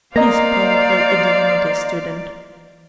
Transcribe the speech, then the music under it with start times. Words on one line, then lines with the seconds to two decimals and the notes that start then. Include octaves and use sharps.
He's probably a divinity student.
0.16 A#3 C5 D5 D#5 F5 A#5